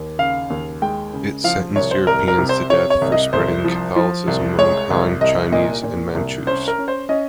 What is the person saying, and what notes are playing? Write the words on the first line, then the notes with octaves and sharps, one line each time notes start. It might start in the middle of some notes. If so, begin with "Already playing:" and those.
It sentenced Europeans to death for spreading Catholicism among Han Chinese and Manchus.
Already playing: D#2
C#3 F5
D#2
G#3 G5
C#3
F3 F5
C2 C#5
C5
C2 A#4
A#4
C3
C5
C3 C#5
C#5
C2
D#5
C2 C5
F3
F3
C2
G#3 C#5
C2
C2 D#5
A#2 D#5
A#2
C2
C#4 C5
A#4
C#4
C5
C#4 D#5